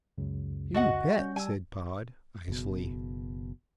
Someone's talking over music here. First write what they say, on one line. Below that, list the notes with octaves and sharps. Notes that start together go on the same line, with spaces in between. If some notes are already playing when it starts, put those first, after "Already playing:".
"You bet," said Pod, icily.
C#2 F#2 C#3
F#4 D#5 F#5
G3 C#4 G6
G3 G#5 E6
F#1 B2